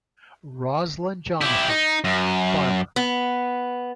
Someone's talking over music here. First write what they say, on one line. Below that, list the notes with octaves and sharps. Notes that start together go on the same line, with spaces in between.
Roslin Jonathan, farmer.
E4 G4
D#4
F#2
B3